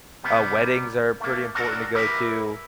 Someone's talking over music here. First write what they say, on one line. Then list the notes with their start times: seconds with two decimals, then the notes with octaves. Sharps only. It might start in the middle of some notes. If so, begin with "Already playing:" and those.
uh, weddings are pretty important to go to.
0.24 C3 G3 B3
1.20 A3 A#3
1.55 D4 F#4 A4 A#4
1.95 E4 G4 A#4 B4